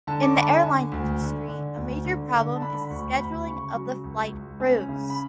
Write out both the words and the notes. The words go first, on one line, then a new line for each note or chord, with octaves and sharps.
In the airline industry a major problem is the scheduling of the flight crews.
D3 A5
D6
C#6
D3 B5
A5
G#5
D3
D2
D3
D3
D2
D3
D3
A5
D3 B5
B5
D2 C#6
D2 B5
C#3 C#6
F#3
C#2
C#2
C#4
C#3
B5